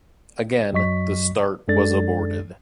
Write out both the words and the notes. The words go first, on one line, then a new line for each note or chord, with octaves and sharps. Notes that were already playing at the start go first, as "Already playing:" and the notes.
Again, the start was aborted.
F#2 F#3 D#5 C#6 B6
F#2 G#3 D4 A4 D5 A6